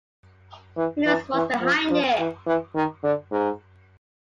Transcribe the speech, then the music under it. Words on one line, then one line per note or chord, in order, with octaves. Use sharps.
Who knows what's behind it.
E3
E3
E3
F3
F3
E3
E3
D#3
D3
G#2